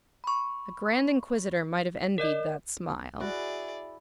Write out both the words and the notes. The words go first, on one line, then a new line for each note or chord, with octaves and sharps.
A grand inquisitor might have envied that smile.
B5 C#6
A#4 D5 D#5
E4 F#4 G#4 D5